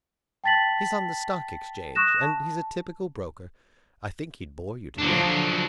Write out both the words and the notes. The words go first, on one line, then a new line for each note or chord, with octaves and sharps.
"He's on the Stock Exchange, and he's a typical broker. I think he'd bore you to death."
G5 A5 A6 B6 F#7
C#6 D#6 F#6 A#6 E7
A5
D3 F3 F#3 D4